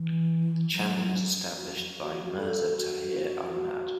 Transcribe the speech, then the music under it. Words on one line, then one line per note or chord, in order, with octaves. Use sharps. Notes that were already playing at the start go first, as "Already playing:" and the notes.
The channel was established by Mirza Tahir Ahmad.
Already playing: E3
F#3
F#4
A4
F#4
F#4
F#4